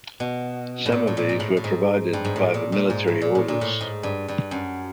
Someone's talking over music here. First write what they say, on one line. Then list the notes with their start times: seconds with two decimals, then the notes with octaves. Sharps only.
Some of these were provided by the Military Orders.
0.20 B2
0.86 A2
0.92 A#2
1.07 A2
1.17 A#2
1.29 G#2
1.40 A2
1.57 A2
1.64 G#2
2.13 G2
2.25 G#2
2.36 A2
2.54 A#2
2.72 A#2
2.90 G#2
3.07 A2
3.22 A#2
3.35 A2
3.48 A#2
3.61 A2
3.81 G#2
4.03 G2
4.28 G2
4.51 F#2